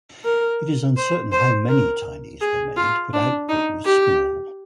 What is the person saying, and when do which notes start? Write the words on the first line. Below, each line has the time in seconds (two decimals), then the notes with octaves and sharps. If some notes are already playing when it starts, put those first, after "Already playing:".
It is uncertain how many Tinys were made but output was small.
0.24 A#4
0.96 C5
1.32 C5
1.69 A#4
2.41 G#4
2.77 F4
3.13 D4
3.49 D#4
3.85 G4